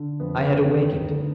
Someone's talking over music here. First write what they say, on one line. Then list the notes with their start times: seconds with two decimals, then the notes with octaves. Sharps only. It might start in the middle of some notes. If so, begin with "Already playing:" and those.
I had awakened.
Already playing: D3
0.20 F2 B3
0.64 D#3
1.06 D2